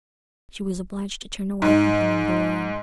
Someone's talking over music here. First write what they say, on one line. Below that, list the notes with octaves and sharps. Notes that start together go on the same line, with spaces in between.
She was obliged to turn away from him and go on.
G#2